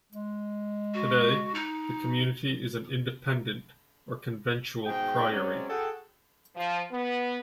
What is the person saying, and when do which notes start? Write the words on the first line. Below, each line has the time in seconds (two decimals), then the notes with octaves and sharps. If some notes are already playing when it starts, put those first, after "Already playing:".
Today, the community is an Independent or Conventual Priory.
0.12 G#3
0.94 F#4
1.55 D#4
4.86 G#2 B2 G#4 G5
5.31 F#3 G#3 C4 C#4 C#5 D5
5.68 F#4 G#4 A4 F#5 G5
6.56 F3
6.92 B3